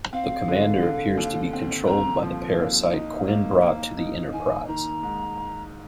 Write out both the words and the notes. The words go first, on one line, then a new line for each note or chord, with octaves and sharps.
The commander appears to be controlled by the parasite Quinn brought to the "Enterprise".
C4 F5
D3
D3
D#2
C4
C4 A#5
F3
D#2
D#4
A#3
A#3
D#4
D#3 G#5
D#3 A#5
G#2